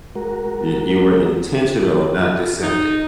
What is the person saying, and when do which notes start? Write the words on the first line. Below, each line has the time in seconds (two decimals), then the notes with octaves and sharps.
Y you were intentional, not deceptive.
0.15 G#3 F#4 A#4
2.63 D#4